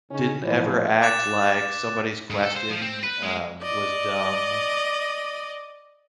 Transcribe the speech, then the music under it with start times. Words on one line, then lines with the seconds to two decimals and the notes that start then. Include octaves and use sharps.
didn't ever act like somebody's question, um, was dumb,
0.11 C#3 C#4 D#4
0.42 A2 E3 F3
1.02 D6 F#6 A6 E7
2.30 G#2
2.43 A4
2.56 C5
2.70 F3
2.81 C4
3.03 B4
3.23 G#3
3.62 D5 D#5